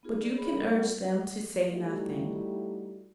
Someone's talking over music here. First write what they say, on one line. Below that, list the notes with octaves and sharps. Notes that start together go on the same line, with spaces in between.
'But you can urge them to say nothing.
B3 D#4 F4 G#4 A#4
D5
B3 G#4 C#5 B5
G3 A#3 D#4 A4 A#4 D5
G3 B3 F4 A#4 F#5
G3 A3 D#4 E4 F#4 G4